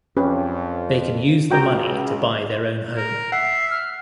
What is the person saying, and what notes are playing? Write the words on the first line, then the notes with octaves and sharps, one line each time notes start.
They can use the money to buy their own home.
F2 C#4 G4 B4
C#2 F#4 G5 A#5
A#4
E5 F#5 C7
F6